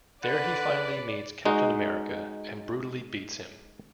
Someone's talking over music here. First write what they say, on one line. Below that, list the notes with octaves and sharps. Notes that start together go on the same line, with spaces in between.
There he finally meets Captain America and brutally beats him.
D3 B4 D5 F#5
G#3 D#4 F#4